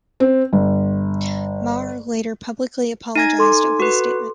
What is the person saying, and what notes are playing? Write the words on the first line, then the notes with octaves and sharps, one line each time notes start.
Maher later publicly apologised over the statement.
C4
G1
D#4 G#5 G#6 A#6 D#7
A4 C6 D6
F#4 B4